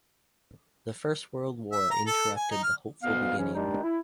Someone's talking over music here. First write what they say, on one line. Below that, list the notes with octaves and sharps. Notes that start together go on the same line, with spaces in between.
The First World War interrupted the hopeful beginning.
E5
A#5
A4
G#5
D#4
F6
D2 B2 B3 F5
G#2 C#3 E3 C#4
D#3 G3 G#3 D4 D#4
E4